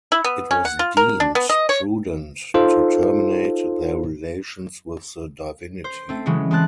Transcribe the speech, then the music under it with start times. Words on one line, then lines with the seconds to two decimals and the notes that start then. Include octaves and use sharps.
It was deemed prudent to terminate their relations with the divinity.
0.12 E4
0.24 B3
0.51 C#4
0.65 F#5
0.79 F4
0.97 A#4
1.20 D4
1.35 B3
1.49 D#5
1.69 C#5
2.54 D#4 F4 A4 C5
5.84 C5
6.09 A3 C4
6.26 C#3 E3 F#3 G#3
6.51 G#3 C4 A5 F#6